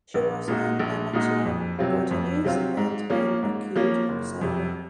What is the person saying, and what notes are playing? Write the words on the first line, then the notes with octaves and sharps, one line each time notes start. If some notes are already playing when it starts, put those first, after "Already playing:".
She was an amateur botanist and an acute observer.
A#1
A#2 G#3 D#4 F#4
A#1
A#2 G#3 D#4 F#4
F2
C3 F#3 C4 F4
F2
C3 F#3 C4 F4
G#2
F3 A#3 C#4
G#2
F3 A#3 C#4
F#1
F2 C3